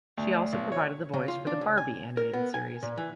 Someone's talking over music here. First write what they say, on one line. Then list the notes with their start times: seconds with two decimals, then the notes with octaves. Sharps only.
She also provided the voice for the "Barbie" animated series.
0.17 D2
0.53 B1
0.72 C#5
1.14 C#3
1.28 F4
1.47 D4
1.61 C#2
1.78 G#5
2.17 A#4
2.33 B3
2.54 G#5
2.83 A#2
2.98 E3